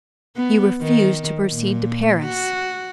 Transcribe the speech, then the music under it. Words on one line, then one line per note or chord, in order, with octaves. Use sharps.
You refuse to proceed to Paris.
B3
D#3
A#2
F#4